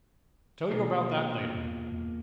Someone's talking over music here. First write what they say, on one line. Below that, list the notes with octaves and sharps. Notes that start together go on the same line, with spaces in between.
"Tell you about that later."
B2 A#3 D4 F4
E2
E2